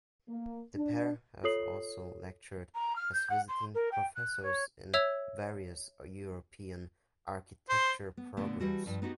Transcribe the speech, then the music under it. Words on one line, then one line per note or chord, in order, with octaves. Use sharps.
The pair have also lectured as visiting professors in various European architecture programs.
A#3
D4
F4 A4 C#5 D#6 C7 F#7
A#5
F6
G6
F#5
C6
A#4
G5
F#6
C#5
C#5 E5 E6 G#6 F7
C5 C6
B3
A#2 D3 A3 B3
E3 G3 F#4 A5
G2 F3
B3 D#4 F#4 G4